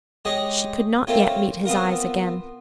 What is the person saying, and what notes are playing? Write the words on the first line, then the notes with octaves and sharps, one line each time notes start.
She could not yet meet his eyes again.
G#3 G4 G#4 C#5 D#5
A3 A#3 C4 F4 C#5
B3 C4 F4 A#4